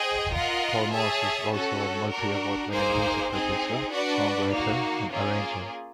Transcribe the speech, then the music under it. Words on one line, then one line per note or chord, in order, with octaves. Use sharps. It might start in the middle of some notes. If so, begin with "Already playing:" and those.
Paul Moss is also a multi-award-winning music producer, songwriter and arranger.
Already playing: G#4 C5 D#5 G5
F4 A#4 D#5 F#5
G#4 C#5 E5 A5
C#4 F#4 A4
D4 F#4 A#4
A#3 D#4 G#4 C5
C4 D#4 G#4
D4 F#4 B4 D5
A#3 D#4 F#4
A#3 C#4 F4 G#4